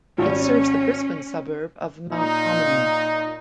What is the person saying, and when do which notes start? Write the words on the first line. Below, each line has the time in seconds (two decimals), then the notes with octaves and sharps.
It serves the Brisbane suburb of Mount Ommaney.
0.18 G#1 G3 C#4
2.12 A#2 D#4